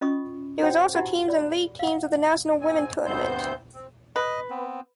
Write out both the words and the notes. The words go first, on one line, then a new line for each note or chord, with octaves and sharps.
There is also Teams and League Teams of the National Women Tournament.
C#4 F4 D#5 B5 C#6 D#6
F#4 C5 C#5 F#5 G5
D#4 E4 F#4 G4 F#5 B5
D5 B5
F5 F#5
G#2 C4 G#5
D2 G2 B3 C4 C5 G6
C4
B4 D#5
B3 C4